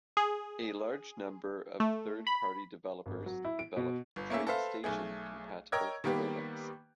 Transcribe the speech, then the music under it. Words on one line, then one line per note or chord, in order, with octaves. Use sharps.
A large number of third-party developers develop TradeStation-compatible products.
G#4
A3
B5
G#1
F#3
E4
D7
B2
G1
A3 A#3 C#4 E5
A4 B4 C5 E5 F5
B1 A3 G#4
A#4 C#5 D#5 G5 E6 G#6
D#3 G3 A#3 B3 G4 B4